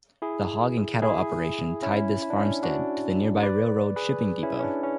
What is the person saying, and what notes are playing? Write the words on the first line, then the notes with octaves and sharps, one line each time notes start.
The hog and cattle operation tied this farmstead to the nearby railroad shipping depot.
E4 G#4
E4 G#4
C#4 E4
E4
D4
C#4 E4
D4 F#4
B4 D5
G#4 B4
C#4 E4
C#4
D4
C#4